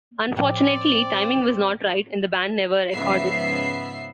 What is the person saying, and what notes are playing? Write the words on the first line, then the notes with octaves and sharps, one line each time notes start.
Unfortunately, timing was not right and the band never recorded.
A2 F3 C4 D5 G5
G#2 C#3 F3 B3 E5 C7